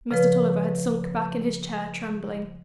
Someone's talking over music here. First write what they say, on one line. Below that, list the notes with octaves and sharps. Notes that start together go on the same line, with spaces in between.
Mr. Tulliver had sunk back in his chair trembling.
C#3 F3 B4